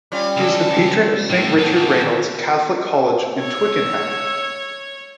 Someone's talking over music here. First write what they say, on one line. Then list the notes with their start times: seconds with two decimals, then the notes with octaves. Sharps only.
He is the patron of Saint Richard Reynolds Catholic College in Twickenham.
0.12 G3 C#4 F4
0.37 C#2 A4
1.30 A2
1.59 B3 A4
2.01 D#3
3.39 C#5 E6